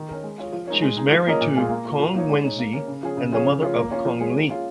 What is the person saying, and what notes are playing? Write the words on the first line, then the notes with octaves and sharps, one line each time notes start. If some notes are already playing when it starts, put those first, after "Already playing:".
She was married to Kong Wenzi and the mother of Kong Li.
Already playing: D#3
C#4 A#4
G#3
F4 G#4 C#5
F3
G#3 D#4 A#4 C#5
G#3
D#4 G#4
F3
A#3 C#4 A#4 D#5
A#2
G#3 F4 G#4
A#3
F4 A#4
F3
A#3 D#4 C#5
G#3
D#4 C#5
A#3
C#4 A#4
C#3
F3 C#4 G#4
C#3
F3 C#4 G#4 C#5
C#3
F3 C#4 F4
A#3
C#4 F4 C#5
F3
G#3 C#4 G#4
A#3
C#4 F4 G#4